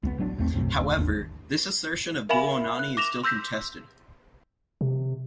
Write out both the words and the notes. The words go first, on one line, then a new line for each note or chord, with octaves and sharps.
However, this assertion of Buonanni is still contested.
C#2 F#3 B3
A1 F#3 B3 D4
A1 D#2 A3 C4
B1 F#2 A2 C3
F1 D2
G#1 D#2 D4
A#4 E5 F5 G#5 B5 F#7
F#6
D6 A#6 E7 F7
C6 E6 G6 A#6 B6
C3